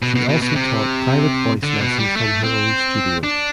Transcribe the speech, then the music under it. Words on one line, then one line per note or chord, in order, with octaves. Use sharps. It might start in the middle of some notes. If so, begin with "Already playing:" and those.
She also taught private voice lessons from her own studio.
B2
B2
B2
B2
C3
D3
B2
G3
A3
C4
D4